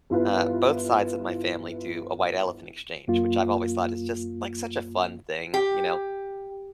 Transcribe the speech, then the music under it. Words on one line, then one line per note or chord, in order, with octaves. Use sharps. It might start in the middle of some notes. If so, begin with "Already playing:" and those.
uh, both sides of my family do a white elephant exchange, which I've always thought is just, like, such a fun thing, you know,
G1 E4 F4 B4
F#2 A#3 F4
G4